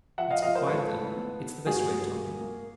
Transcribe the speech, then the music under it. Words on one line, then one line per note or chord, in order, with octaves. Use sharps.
"Let's be quiet, then: it's the best way of talking."
F3 E5 F#5
D#5 F5
F3 D#5 F5
A#4 C5
G#3 A4 B4
A2
B3
B3
G2 F#4 G#4
G2
A#3
A#3